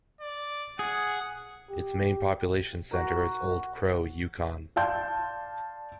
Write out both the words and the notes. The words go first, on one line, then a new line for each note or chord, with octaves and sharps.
Its main population centre is Old Crow, Yukon.
D5
G#4 F#5
G4
F#4 A#4
D5 F5 A5 C6 G6